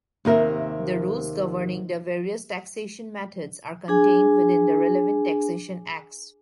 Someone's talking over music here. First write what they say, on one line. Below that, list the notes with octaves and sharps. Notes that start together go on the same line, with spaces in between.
The rules governing the various taxation methods are contained within the relevant taxation acts.
D#2 C3 A#4 E5
D4 G#4 G#5